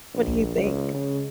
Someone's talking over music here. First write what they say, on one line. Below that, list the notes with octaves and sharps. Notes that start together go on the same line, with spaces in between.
What do you think?
A#1
C#2
C#3